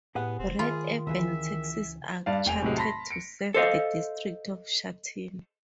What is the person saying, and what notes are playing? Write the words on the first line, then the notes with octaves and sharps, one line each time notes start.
Red urban taxis are chartered to serve the District of Shatin.
A2 B3 G4 G#4 F#5
F1 C4
D#3 F4 G#4 A#5 B5
C#2 E3 G#4 E5
G2 D5 F5
F1 G5 G#5 F7
A2 C3 F#3 G#3
A5 B5 C6 A#6 B6
C#7 D7
A4 C5 D#5 F5